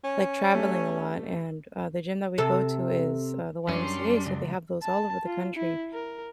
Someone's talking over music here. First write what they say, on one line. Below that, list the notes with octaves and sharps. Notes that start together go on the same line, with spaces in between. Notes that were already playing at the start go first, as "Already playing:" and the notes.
like, traveling a lot. And, uh, the gym that we go to is, uh, the YMCA, so they have those all over the country.
C#4
G3 A3
C3 A4
F#2 G3 C#4 D4 D5 C6
C#2
A5
F4
E4
A#4